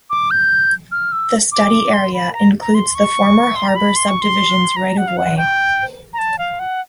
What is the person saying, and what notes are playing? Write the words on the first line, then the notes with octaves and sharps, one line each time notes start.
The study area includes the former Harbor Subdivisions right of way.
D6
G6
F6
E6
D6
C6
B5
A#5
A#5
C6
C#6
C6
A#5
B5
C6
C#6
C6
A#5
F#5
F5
F#5
G5
A#5
A5
F5
F#5